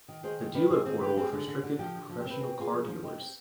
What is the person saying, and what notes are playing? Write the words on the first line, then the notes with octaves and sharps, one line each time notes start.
The dealer portal is restricted to professional car dealers.
D#3
D#3 G#4 C5
D#3
D#3 B4 D5
D#3 G#4 C5
C4 G#4 C5
D3 G4 B4
C4 F4 G#4
D3
D3
D3
F3 G4
D3
F3
G4
C4 B4
C4 G#4
G4
C4 F4 G#4
F3
F3
D#4 G4
C4